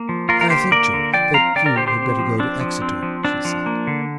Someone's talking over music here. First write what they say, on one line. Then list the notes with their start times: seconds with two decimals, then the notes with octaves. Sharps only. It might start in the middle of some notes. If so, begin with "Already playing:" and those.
"I think, George, that you had better go to Exeter," she said.
Already playing: A#3
0.09 F3
0.29 A#3 F4 A#4
0.41 A#4
0.50 D3 G4 C5
0.71 A#3 A#4 D5
0.93 D3
1.14 F3 D5 G5
1.34 C4 F5 A#5
1.55 D3 D5 G5
1.66 A#4 D5
1.76 D3 G4 C5
1.87 G4 C5
1.97 C4
2.19 F3
2.39 C4 D4
2.60 F3
2.82 C4
3.03 F3
3.24 C4 D4
3.45 F3
3.66 A#3
3.87 D3